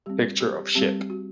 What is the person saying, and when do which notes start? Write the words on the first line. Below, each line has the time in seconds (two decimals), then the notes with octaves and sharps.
Picture of ship.
0.06 G3 C4 G4
0.40 G4
0.75 G3 C4 G4
1.10 F#4